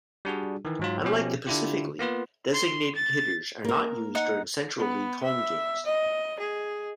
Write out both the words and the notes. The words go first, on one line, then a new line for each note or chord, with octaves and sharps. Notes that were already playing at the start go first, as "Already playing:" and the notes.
Unlike the Pacific League, designated hitters are not used during Central League home games.
G3 D4 F#4 G#4
D#3 E3
G#2 F#3 F4
B2 F3 C#4 G4
D3 D4 E4 F4 G4
A#3 B3 F4 B4
C6
A6
A#3 A#4
D#4 F#5
B3
E5
D#5
G#4